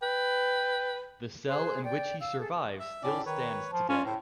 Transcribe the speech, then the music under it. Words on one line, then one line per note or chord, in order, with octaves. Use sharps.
The cell in which he survived still stands today.
B4 G5
G#4 C5 C6 F#6
D5 G5
F5 E6
G#4 A4
E5
A2 C#4 D5
D#3 B4 C#5
F3
C#4 F4
A2 C5